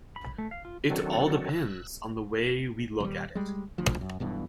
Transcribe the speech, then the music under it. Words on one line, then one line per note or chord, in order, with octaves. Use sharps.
It all depends on the way we look at it.
B5
A3
F5
F4
D#3 F#3 C4 D4 F#4 A4
E6 F#6
D#1 G3
G3 G#3
D2 F3
F#2
B1 G2 B2 E3